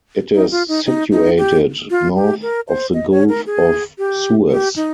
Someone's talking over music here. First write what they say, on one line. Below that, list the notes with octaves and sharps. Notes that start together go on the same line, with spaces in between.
It is situated north of the Gulf of Suez.
D#4
F4
D#4
D#4
D#4
G4
F4
G4
A#4
C5
D#5
C#5
A#4
G#4
G4
G4
D#4